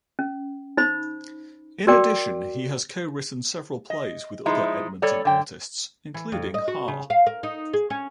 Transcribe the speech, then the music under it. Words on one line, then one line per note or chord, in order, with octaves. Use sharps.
In addition, he has co-written several plays with other Edmonton artists, including Ha!
C#4
D#4 C5 B5
F#4 A#4 D5 G5 D6
D#5
F3 G#3 D#4 E4
G3 A4 C#5 D5
D3 G5
E3
F2
D#5
F#4
C#3
F5
A#4
D#4
G#4
C#4